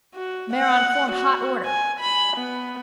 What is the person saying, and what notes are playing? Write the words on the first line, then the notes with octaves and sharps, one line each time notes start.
Mare on form hot order.
F#4
F#5
F#4
G#5
B5
B3